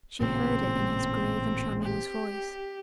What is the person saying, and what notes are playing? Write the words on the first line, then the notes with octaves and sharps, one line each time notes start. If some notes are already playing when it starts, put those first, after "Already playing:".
She heard it in his grave and tremulous voice.
A1 A#2 C#3 C4
G4